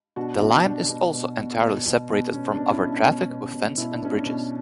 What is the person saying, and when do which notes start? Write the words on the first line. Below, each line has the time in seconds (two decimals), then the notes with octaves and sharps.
The line is also entirely separated from other traffic with fence and bridges.
0.16 B2 D4 F#4
0.41 B2 D4 F#4
0.65 B2 D4
0.89 B2 D4
1.13 B2
1.37 B2
1.61 B2
1.86 B2
2.10 B2
2.33 B2 C#4
2.52 D4
2.57 B2
2.69 C#4 E4
2.81 B2
2.87 D4
3.05 B2 C#4
3.30 B2
3.54 B2
3.78 B2 E4
3.92 D4
4.03 B2 C#4
4.17 D4
4.26 B2